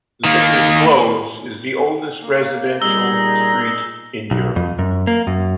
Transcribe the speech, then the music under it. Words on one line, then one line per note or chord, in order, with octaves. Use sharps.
The Vicars' Close is the oldest residential street in Europe.
D#3 A#3
A#3
A#2 G3 D#4 G#4 A#5 E6 G7
B1
F2
F#2
A#3
F#2